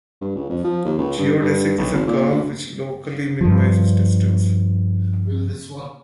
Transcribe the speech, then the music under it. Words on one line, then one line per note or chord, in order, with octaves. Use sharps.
Geodesic is a curve which locally minimizes distance.
G2
C#2
F2
F3
D#2
C#2
G2
G2
B1
G#1
A#2
D2
G2 F3